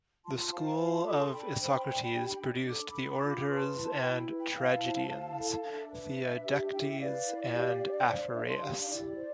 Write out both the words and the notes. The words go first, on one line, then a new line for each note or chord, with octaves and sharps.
The school of Isocrates produced the orators and tragedians, Theodectes and Aphareus.
F4 A5 C6
C5 F5 A5
F4 F5 A5
A5 C6
A4 B5 D6
A5 C6
D4 G5 B5
C5
D4
G4
D4
A4 D6
D4 B5 D6
F4
B4 A5 C6
E4
E4 G5 B5
B4
G5 B5
G5
E4 F5 A5
C5
E4
A4
D4 E5
B4
D4
G4
E4 E5 G5
B4 D5 F5
E4
G4
D4
C5
D4 E5
A5 C6
G4 D5 F5
D5 F5
E4 D5
C5